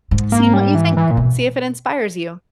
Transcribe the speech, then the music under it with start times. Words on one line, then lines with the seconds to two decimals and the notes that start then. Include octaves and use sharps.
seeing what you think. See if it inspires you.
0.11 G#2
0.32 A#3
0.54 G3
0.75 E3
0.97 E3
1.11 A#2
1.17 B2